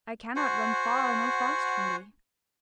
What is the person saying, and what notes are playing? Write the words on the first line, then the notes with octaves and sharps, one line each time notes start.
I cannot run far or fast from thee.
F#4 C5 F#5 G#5